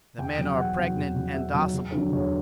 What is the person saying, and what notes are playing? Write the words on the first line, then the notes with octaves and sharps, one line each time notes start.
The Men are pregnant and docible.
E2 G5
B2 F#3
E2 F#5
B2 F#3
E2
B2 F#3
E2 E5
B2 F#3
E2
D3 F#3
E2 C#5